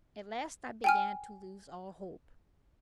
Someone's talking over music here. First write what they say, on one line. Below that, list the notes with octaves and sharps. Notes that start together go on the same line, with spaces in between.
At last I began to lose all hope.
G5 G#5 F6